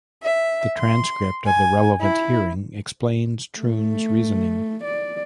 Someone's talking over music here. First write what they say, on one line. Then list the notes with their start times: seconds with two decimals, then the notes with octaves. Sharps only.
The transcript of the relevant hearing explains Troon's reasoning.
0.22 E5
0.78 C6
1.45 G#5
2.00 E4
3.59 A3
4.84 D5